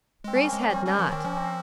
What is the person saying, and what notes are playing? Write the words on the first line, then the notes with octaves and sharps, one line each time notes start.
Grace had not.
G#3 C4
G3 C#4
A#3
G#3 C4
C#4
G3 C4
G3 C#4
F3 A#3
D#3 C4
F3 C#4
C4